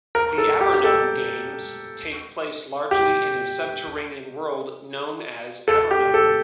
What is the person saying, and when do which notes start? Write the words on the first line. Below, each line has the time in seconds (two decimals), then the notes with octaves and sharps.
The "Avernum" games take place largely in a subterranean world known as Avernum.
0.15 A#4
0.38 A4
0.61 G4
0.74 G4
0.84 A4
2.91 G4
5.68 A4
5.91 G4
6.14 A4